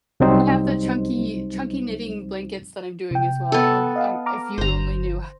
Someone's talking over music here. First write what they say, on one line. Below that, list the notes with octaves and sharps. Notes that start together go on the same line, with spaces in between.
I have the chunky chunky knitting blankets that I'm doing, as well. Oh, um, if you only knew
C2 F#3 G3 C4 D#4 C5
C3 G5
B3 A4
D#5 F5 F#5
A#5 D6 F6
G1 D3 C5 A#5